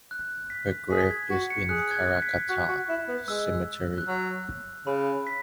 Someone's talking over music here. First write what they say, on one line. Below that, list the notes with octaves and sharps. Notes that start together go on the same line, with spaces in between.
Her grave is in Karrakatta Cemetery.
F#6
B6
G#4 B6
B6
G#6
F#4
C#7
G#4 F#6
G#6
F#6
B6
F#4 F#6
F#4
E4
B3
G#3 E6
F#6
F#3 E6
C#3 B5
B6